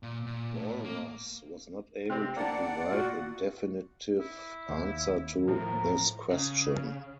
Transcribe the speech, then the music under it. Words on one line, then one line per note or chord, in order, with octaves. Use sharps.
Walras was not able to provide a definitive answer to this question.
A#2
A#2
A2
A#3
C3 C4
A#3 D4 D5 F#5
A#2 F#4
E4
D#2
A2 F3 A#4
C#3